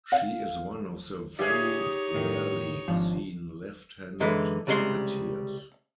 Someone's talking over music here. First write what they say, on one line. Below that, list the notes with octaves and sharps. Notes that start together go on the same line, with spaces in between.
She is one of the very rarely seen left-handed puppeteers.
F5
D#4 G4 G#4 C#5 D5 E5 F5
A2 D#3 F#3
G#1 F3 D4
F#2 D3 E3 G#3
C2 C#3 G3 G#3 A4 C6